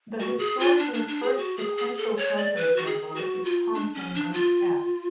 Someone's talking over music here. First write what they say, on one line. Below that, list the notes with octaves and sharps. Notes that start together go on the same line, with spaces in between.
The historically first potential counterexample is Thompson group "F".
F#4
G#4
F4
D4
D4
D4
G#4
F#4
G#4
G#4
A4
C#5
D5
B4
F#4
G#4
F#4
F4
D4
C#4
D4
F4